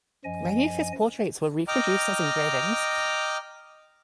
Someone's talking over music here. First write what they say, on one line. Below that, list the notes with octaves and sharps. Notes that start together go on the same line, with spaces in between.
Many of his portraits were reproduced as engravings.
F#2 F3 D#5 G#5
D#5 G5 A#5 D6 F6